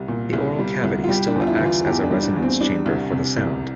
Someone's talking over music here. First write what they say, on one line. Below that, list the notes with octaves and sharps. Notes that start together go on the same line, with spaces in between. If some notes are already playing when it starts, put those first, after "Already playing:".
The oral cavity still acts as a resonance chamber for the sound.
Already playing: C2 G3
A#2
C2
G3
C2
F4
G3 G4
D4
E2
F4
E4
E3 E4
F4
E2 G4
D4
G3
D4
E2
C4
G3 D4
C2
C3
C2